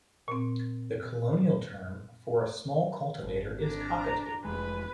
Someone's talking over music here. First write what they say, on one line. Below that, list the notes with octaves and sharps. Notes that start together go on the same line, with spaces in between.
The colonial term for a small cultivator is cockatoo.
A#2 C4
G#1
D4 A#5
F1 G#3 B4